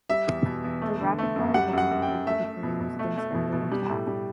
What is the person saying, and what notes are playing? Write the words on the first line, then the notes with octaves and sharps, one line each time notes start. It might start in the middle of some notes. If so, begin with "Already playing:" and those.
Her rapid-fire guns protected the carriers against aerial attack.
G3 E5
E2
B2
E2
A3
D3
A3
F#2
G3 F#5
F#2 F#5
F#2
G5
F#2
A3 E5
A3
B2
B2
A3
A3
B2
B2
G3
A2
G3